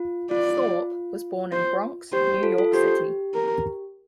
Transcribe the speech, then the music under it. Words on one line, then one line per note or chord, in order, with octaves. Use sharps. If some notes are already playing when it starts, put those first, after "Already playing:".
Thorp was born in Bronx, New York City.
Already playing: F4
F4 D5
C5
G4 C5
F4 A4
F4 A4
G4 C5
A#4